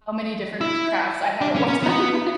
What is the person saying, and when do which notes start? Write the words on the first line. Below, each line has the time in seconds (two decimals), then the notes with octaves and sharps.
how many different crafts I have at one time,
0.61 E4
1.41 D4
1.56 C#4
1.68 C#4
1.83 B3